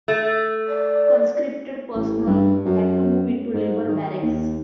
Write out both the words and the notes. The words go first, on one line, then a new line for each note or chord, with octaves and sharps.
Conscripted personnel had to move into labour barracks.
A3
D5
A1
G2
F#2
G#2
D#3
D#2